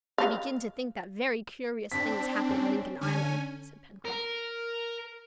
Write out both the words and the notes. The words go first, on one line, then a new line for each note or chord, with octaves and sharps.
"I begin to think that very curious things happen in Lincoln Island!" said Pencroft.
F5
C4 D4 B6
C#4
D3 C#4 G#5
A#4